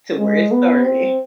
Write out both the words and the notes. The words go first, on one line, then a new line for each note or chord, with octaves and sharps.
to where it started.
G#3
B3
C4